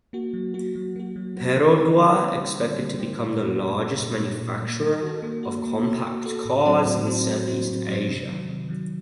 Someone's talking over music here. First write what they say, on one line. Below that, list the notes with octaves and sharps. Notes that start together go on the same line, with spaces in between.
Perodua expected to become the largest manufacturer of compact cars in South-East Asia.
A#3 F#4
F#3
A#3 F#4
F#3
A#3 F#4
F#3
A#3 F#4
D3
G3 C4 G4 C5
D3
G3 C4 G4 C5
D3
G3 C4 G4 C5
D3
G3 C4 G4 C5
A#2
G3 A#3
A#2
G3 A#3
A#2
G3 A#3
A#2
G3 A#3
A#3
F#4 A4
A#3
F#4 A4
A#3
F#4 A4
A#3
F#4 A4
A2
F#3 C4 F#4 C5
A2
F#3 C4 F#4 C5
A2
F#3 C4 F#4 C5
A2
F#3 C4 F#4 C5
C3
D#3 F#3
C3
D#3 F#3